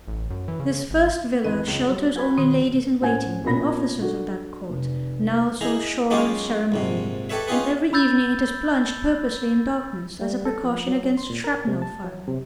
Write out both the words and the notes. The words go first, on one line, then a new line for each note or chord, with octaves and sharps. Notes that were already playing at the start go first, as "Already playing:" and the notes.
This first villa shelters only ladies-in-waiting and officers of that court now so shorn of ceremony, and every evening it is plunged purposely in darkness as a precaution against shrapnel fire.
A1
F#2
E3
C#3
G#1
G#1 E2 B4 D#5
C#2 F#2
F#3 G3
F#4 G#5 B5 G#6
B2 D#3 C4
A2 C#4 C5 F#5 G#5 G#6
A#1 B2 C#4 A#4 B5 A#6
D4 F#4 A4
F1
D#4 E4 G#4 A#5
F#3 G#3 C#4 D#4 F4 G4
A#1 G#2 C3
G4 A4 B4 C#5 E5
C#4 D#4 F4 G4 G#4 B4
B5 E6 G6 A6
G3
A4
F3
F#3
C#4
C6
A#2
A#4
C3
A5
F#3
C3